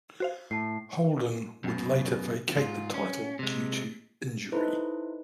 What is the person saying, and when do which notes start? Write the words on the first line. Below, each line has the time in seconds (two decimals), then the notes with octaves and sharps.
Holden would later vacate the title due to injury.
0.20 F#4 C5 F5
0.51 A2 A5 C7
1.64 F#2 B2
2.56 G#2 F4
2.94 C#4
3.39 C3 G#3
4.52 D#4 E4 A4 B4 C5